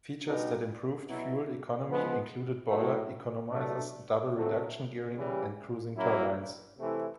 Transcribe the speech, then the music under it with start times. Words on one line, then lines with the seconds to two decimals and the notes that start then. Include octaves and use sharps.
Features that improved fuel economy included boiler economizers, double reduction gearing, and cruising turbines.
0.24 B2 G3 B3 D#4
1.06 B2 F#3 B3 E4
1.88 F3 G#3 B3
2.69 A2 F#3 A3
3.51 B2 F#3 A3 D4
4.32 D3 F#3 A3 C4
5.15 C#3 E3 G3
5.96 F#3 A#3 C#4 E4
6.78 C3 E3 A3 C4 E4